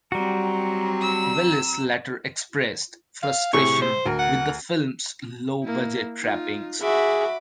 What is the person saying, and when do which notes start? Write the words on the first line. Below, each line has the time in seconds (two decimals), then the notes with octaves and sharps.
Welles later expressed frustration with the film's low budget trappings.
0.12 F#3 G3 C4 F#4 A#5
1.01 E6
3.23 F5
3.53 A2 C3 G#4 C#6
3.81 C5
4.06 D2 A#4
4.19 F#5
5.64 A#3 E4
6.22 D#4 F4
6.81 F#4 G#4 E5 B5 D6